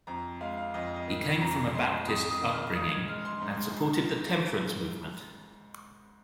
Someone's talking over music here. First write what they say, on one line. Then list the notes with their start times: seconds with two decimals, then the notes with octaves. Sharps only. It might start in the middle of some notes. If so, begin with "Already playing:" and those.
He came from a Baptist upbringing, and supported the temperance movement.
0.07 F2 A#5
0.41 G#3 F5
0.57 F5
0.74 F2 D#5
0.96 D#5
1.07 D#3
1.41 F2 A#5
1.74 G#3 C6
2.08 F2 D#6
2.30 D#6
2.41 D#3
2.52 F6
2.75 G#2 D#6
2.91 G#6
3.08 G#3 F6
3.25 C6
3.42 G#2